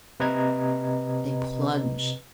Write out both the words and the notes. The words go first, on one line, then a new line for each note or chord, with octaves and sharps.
They plunged.
C3 B4 D#5 A#5 G#6